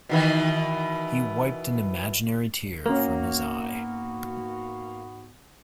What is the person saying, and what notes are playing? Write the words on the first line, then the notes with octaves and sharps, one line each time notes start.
He wiped an imaginary tear from his eye.
B2 D#3 E3
G#2 A#3 B3 C#4 F#4 A#4